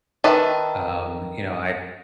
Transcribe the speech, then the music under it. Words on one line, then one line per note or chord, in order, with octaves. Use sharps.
um, you know, I
D#3 A4 B4 E5